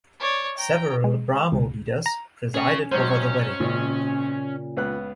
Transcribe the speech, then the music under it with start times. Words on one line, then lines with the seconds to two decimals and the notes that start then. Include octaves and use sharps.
Several Brahmo leaders presided over the wedding.
0.20 C#5 D5
0.58 G5 A#5
1.04 G#3
1.52 C#2
2.06 A#5
2.54 C#4 G#4 C#5
2.91 G#1 F#3 C#4 C5
3.60 G#1 A#2 C#3
4.77 C#2 B3 F#6